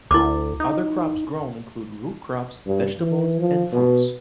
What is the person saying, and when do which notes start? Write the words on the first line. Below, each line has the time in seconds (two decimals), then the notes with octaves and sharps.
Other crops grown include root crops, vegetables and fruits.
0.11 D2 E4 D6
0.60 D#4
2.67 G2
3.00 E3
3.40 F3
3.72 B2